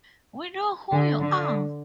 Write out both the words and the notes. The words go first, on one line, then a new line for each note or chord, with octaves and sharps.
We know who you are.
D3
D3